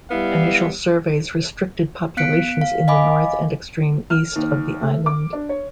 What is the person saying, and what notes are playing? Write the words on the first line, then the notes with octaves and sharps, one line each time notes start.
Initial surveys restricted populations in the north and extreme east of the island.
G3 B3 E4 F5
B3 F5 F#6 B6 C#7 D7
F5
D#5 F5 G#5 B5 D6
F6
D#2
A3
D6
D4
C#5